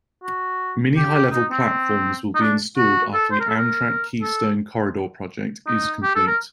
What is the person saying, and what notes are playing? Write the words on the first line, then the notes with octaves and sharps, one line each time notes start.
Mini-high-level platforms will be installed after the Amtrak Keystone Corridor project is complete.
F#4
G4
G4
D#4
C4
D#4
D4
F#4
A4
C5
A#4
A4
A#4
A4
D#4
G4
A4
A#4